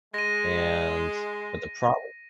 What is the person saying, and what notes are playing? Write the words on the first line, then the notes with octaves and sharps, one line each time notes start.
And but the problem
G#3 A#6 D#7